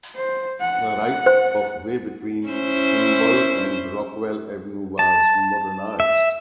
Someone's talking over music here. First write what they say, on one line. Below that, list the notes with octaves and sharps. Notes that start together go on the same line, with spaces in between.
The right-of-way between Kimball and Rockwell Avenue was modernized.
C5
F#5
C5
C#4 E4 C5
A5
E5